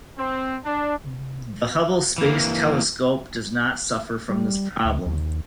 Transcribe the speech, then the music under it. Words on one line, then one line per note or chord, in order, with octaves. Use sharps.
The Hubble Space Telescope does not suffer from this problem.
C4
D4
E3 A#3
G3
D2
D#2